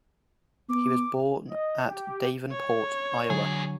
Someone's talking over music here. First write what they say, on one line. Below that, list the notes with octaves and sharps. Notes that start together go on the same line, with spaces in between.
He was born at Davenport, Iowa.
B3 D6
D#5
G4
C#5
A#2 D3 F#3 G#4